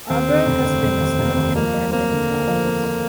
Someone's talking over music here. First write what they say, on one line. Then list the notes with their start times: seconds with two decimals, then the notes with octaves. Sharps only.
Abra has been its own independent province.
0.10 D#2 C4
0.28 D3
0.46 F1
0.64 D3
0.82 F1
1.01 D#2
1.19 F1
1.38 D#2
1.55 F3 A#3
1.74 F3
1.92 A#3 C4
2.11 D3
2.29 D3
2.47 F3
2.65 C4
2.83 F4